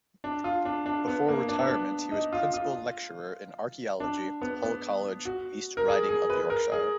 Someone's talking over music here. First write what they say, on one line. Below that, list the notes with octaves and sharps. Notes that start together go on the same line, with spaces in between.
Before retirement he was Principal Lecturer in Archaeology, Hull College, East Riding of Yorkshire.
D4
F4
D4
D4
B3
A#3
D4
B3
D4
D#4
F4
F4
D4
B3
B3
F#4
A#4
G#4
G#4
B4
A#4
G#4